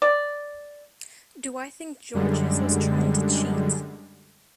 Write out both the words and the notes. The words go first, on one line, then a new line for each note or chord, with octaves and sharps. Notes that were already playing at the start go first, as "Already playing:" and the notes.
Do I think Georges was trying to cheat?
D5
F#2 D3 G3 G#3